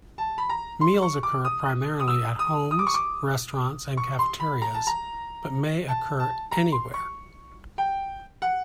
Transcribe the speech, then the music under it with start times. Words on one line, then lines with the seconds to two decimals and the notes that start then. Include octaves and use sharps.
Meals occur primarily at homes, restaurants, and cafeterias, but may occur anywhere.
0.18 A5
0.38 B5
0.49 A#5
0.81 C6
1.02 C#6
1.23 D6
1.45 D#6
2.00 D#6
2.08 E6
2.39 D#6
2.71 D#6
2.79 D6
2.87 C#6
2.94 D6
3.97 C#6
4.19 C6
4.40 B5
4.62 A#5
4.74 A5
4.87 A#5
5.88 A5
6.20 A5
6.51 A#5
6.72 C6
6.94 C#6
7.78 G5
8.42 F#5